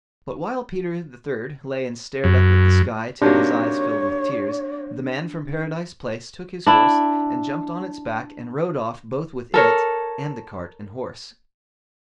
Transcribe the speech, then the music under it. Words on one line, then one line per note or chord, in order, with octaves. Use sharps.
But while Peter the third lay and stared up at the sky till his eyes filled with tears, the man from Paradise Place took his horse and jumped on its back and rode off both with it and the cart and horse.
F#2
C3 F#3 A#3 D4 D#4 G4 C#5
D4 E4
A4 A#4 C#5